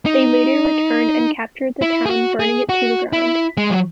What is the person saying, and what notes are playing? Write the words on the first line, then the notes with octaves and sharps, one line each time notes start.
They later returned and captured the town, burning it to the ground.
D#4
E4
G#4
F#4
G#4
F#4
E4
G#3
F#3